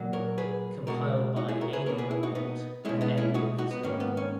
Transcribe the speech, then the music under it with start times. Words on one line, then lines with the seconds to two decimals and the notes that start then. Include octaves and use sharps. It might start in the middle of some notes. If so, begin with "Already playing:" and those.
Compiled by A. D. McNaught and A. Wilkinson.
Already playing: A#2 F#3 A#3
0.13 A#4 C#5
0.38 G#4 B4
0.87 B2 G#3 F#4 A#4
1.36 D#4 F#4
1.48 E4 G#4
1.61 F#4 A#4
1.73 G#4 B4
1.86 B2 A#3 A#4 C#5
1.98 G#4 B4
2.11 E4 G#4
2.23 D#4 F#4
2.35 B3 D#4
2.85 B2 G#3 C#4 E4
3.01 B3 D#4
3.17 C#4 E4
3.34 D#4 F#4
3.58 D#4 F#4
3.71 B3
3.83 G#2 D#3 A#3 C#4
4.00 B3
4.17 C#4